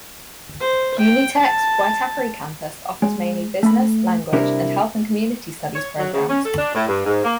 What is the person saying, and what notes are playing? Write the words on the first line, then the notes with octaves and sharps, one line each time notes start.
Unitec's Waitakere campus offers mainly business, language, and health and community studies programs.
C5
G5
A5
G#3
A3 B5
C3 G3 D4 E4 G4 A#4
C#5
F#3
C#3
C#4
A4
D4
A2
G2
G#2
A#3